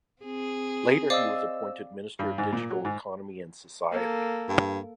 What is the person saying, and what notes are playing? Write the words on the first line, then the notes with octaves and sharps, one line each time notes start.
Later he was appointed Minister of Digital Economy and Society.
C4 G#4
C5 D5 D#5 F5 D6 E6
G2
G#2
A#2
F#3
G#2
A#3 A4
G2